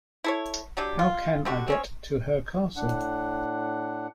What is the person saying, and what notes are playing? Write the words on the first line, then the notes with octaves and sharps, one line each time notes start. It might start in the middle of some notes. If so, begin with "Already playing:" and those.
How can I get to her castle?
E4 A4 C#5
F#3 G3 D4 G4
F4
D3 G3 F#4
C4 C#4 C#5
A2 D4 F#5